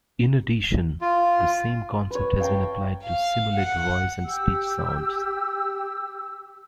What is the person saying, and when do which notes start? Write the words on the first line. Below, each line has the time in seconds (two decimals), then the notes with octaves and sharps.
In addition, the same concept has been applied to simulate voice and speech sounds.
1.01 F4
2.11 B4 C#5
2.40 F5 G5 A5 A#5
3.03 F5
3.55 F#5
4.24 G4 E6